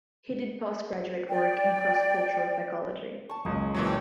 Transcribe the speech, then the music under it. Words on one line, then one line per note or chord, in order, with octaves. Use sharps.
He did post-graduate work in cross-cultural psychology.
D5 G5
A5 C#6
F#1 C#2 D#6
A#2 E3 F#3 C5 C#6
C#5 G5 A5